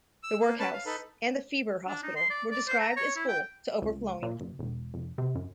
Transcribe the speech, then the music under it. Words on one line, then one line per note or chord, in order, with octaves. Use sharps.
The Workhouse and the Fever Hospital were described as full to overflowing.
E6
A#3
C#4 B4 A5
F5
D#4 A4 B4
D4
D#4
C6
D5
D5
C5
A#5
C#5
E4
G5
C#2
A#2
F#1
E1
F1
C3
F#2